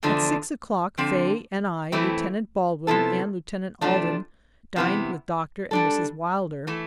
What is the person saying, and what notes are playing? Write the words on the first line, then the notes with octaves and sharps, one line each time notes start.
At six o'clock Faye and I, Lieutenant Baldwin, and Lieutenant Alden dined with Doctor and Mrs. Wilder.
E2 D3 F3 A3 D4
D3 F3 C4
F2 E3 A3 C4 E4
C3 F3 B3 E4 A4
C3 F3 A3 D4
C3 E3 B3 E4
G3 D4 A4
E3 A3